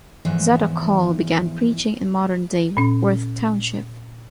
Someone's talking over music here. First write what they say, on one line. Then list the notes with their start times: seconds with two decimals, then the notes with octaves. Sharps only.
Zadock Hall began preaching in modern-day Worth Township.
0.25 E2 G#2 E3 F3 E5
2.77 A#2 C#4